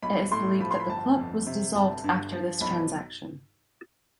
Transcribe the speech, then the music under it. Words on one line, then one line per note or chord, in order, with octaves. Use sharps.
It is believed that the club was dissolved after this transaction.
B1 B5
A2 C6
F3 B5
C6
B5
G1 A5
F2
C3
G1 A5
G2
F3
B1 B5